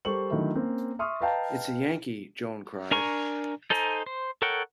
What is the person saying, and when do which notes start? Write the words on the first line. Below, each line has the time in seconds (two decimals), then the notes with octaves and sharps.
It's a Yankee, Joan cried.
0.05 G3 A4 A#4 C5 C#6 F#7
0.30 D3 D#3 F#3 A3 E4
0.55 A#3 C4 C#4
0.99 E5 C6 C#6 D#6 F6
1.21 B4 D#5 F5 G5 A5 A#5
2.91 D4 A#4 G#5 A#5 C#6
3.70 D#4 A4 C5 G#5 A#5
4.06 C5
4.42 A4 A#4 C#5 F#5 G5